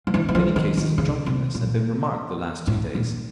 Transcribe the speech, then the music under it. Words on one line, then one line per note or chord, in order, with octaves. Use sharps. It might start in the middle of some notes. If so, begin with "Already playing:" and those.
Many cases of drunkenness had been remarked the last two days.
F3
E3
E3
F3
D#3
D#3
C#3
C3
A#2
A2
A#2